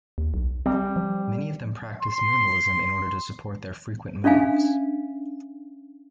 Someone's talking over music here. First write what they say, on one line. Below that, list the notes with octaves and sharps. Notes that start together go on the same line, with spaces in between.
Many of them practice minimalism in order to support their frequent moves.
D#2
B1
G3 C4
F3
C6
C#4 D4 E5 F5 G#5